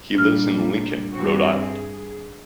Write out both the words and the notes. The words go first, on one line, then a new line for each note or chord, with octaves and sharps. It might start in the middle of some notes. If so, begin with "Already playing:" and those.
He lives in Lincoln, Rhode Island.
A#2 G3 D4 F6
G2 C4 F#4
G#4